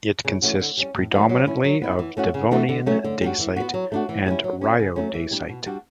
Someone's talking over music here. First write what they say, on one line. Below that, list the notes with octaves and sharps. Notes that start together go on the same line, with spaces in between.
It consists predominantly of Devonian dacite and rhyodacite.
C#3
E3 A3 C#4 F#4
D3
G3 C#4
A2
E3 A3 C#4 F#4
F#3
C#4 E4
F#3
B3 E4
E3
A3 C#4 F#4
C#3
E3 A3 D4 F#4
D3
F#3 A3 C#4
D3
G3 D4 F#4
E3
B3 F#4
F#3
A3 D4 F#4
E3
G3 C#4 E4
F#3
C#4 F#4
C#3
F#3 A3 C#4
E3
G3 D4
B2
G3 D4 F#4